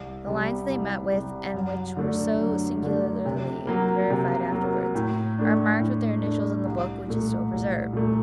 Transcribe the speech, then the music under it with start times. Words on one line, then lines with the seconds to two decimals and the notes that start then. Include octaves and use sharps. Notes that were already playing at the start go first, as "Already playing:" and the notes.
The lines they met with and which were so singularly verified afterwards, are marked with their initials in the book, which is still preserved.
Already playing: C2
0.27 C3 G3
0.70 C2
1.12 C3 G3
1.54 F#2
1.96 D3 A3 D4
2.39 F#2
2.83 D3 A3 D4
3.25 C3
3.67 F#3 A#3
4.10 C3
4.52 F#3 A#3
4.95 A2
5.38 A3 D4
5.81 A2
6.23 A3 D4
6.65 C2
7.08 A#2 A3
7.51 C2
7.93 A#2 A3